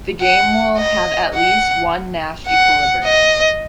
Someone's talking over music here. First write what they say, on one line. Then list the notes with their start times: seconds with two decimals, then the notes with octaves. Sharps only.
The game will have at least one Nash equilibrium.
0.21 F#5
0.77 D#5
1.34 F#5
2.48 F#5
3.04 D#5